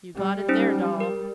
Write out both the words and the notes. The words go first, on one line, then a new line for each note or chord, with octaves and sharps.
'You got it there, Doll.
G3
C#4 D#4 C5
A#4